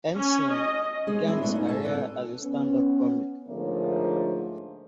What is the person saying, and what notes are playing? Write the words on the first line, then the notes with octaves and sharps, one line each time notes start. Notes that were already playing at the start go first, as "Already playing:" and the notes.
Henson began his career as a stand-up comic.
C#4
D#5
G#3 G#4 C5 C#5
C4 D4 E4 G#4 C5
G#2 A3 B3 D4 C#5
C#4 D#4 F4
A4 C#5 F5 G#5 A5
C4 A4 B4 D5
B3 C#4
G#2 D3 F3 A3 A#3 C#5